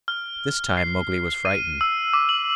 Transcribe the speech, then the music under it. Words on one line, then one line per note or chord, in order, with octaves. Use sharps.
This time Mowgli was frightened.
F6
C7
D#7
E6
D6
F#7